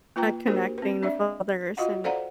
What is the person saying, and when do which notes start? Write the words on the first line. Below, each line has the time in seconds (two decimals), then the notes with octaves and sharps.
at connecting with others and
0.16 A#3 F4 B4 G5 A#5
0.48 A#3 D4 F#4 G4 A#4 C5
0.78 C4 B4
1.03 D4 D5 E5
1.77 F4 F#4 D#5 F5 F#5
2.04 A4 C5 D5 F5 F#5 A#5